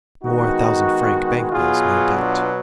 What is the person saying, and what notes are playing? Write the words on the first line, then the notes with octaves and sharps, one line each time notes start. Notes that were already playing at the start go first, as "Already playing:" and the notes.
More thousand-franc bank-bills, no doubt!
D#3 G#3 B3 D#4 F#4
B2 F#3 B3 F4 G#4
D4 F4